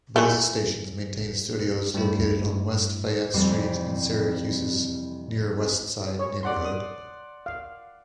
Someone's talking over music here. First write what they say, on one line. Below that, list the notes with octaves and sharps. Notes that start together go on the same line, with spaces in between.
Both stations maintain studios located on West Fayette Street in Syracuse's Near Westside neighborhood.
E3 A3
G2 G3 A3 E4
F2 C3 E3 G3 A3
C#5
D5 F#5 C6
D#6
F5